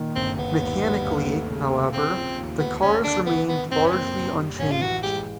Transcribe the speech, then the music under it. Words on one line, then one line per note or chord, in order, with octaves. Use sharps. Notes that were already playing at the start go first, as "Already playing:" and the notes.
Mechanically, however, the cars remained largely unchanged.
Already playing: A#2 D#3
G1 C4
G1 B3
D#2
G3
D#2
A3
C#3
C#3
C#3 C4
F3
D#2
D2 B3
D2 C#4
D3 D4
D#3 B3
D#3 B3
F#1 C4
C#4
A#3 C4
G3
G3
A1 C#4
F4
E3 F#4
G#3 G4